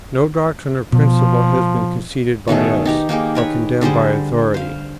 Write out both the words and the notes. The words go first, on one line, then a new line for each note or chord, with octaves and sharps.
No doctrine or principle has been conceded by us, or condemned by authority.
B2 F3
B2 D#3 A3 G#4
D#4 G4 A#5
A#3 D#4 G4 G#4
A#4 B4 C#5
D3 G3 G#4 C5
C5 F5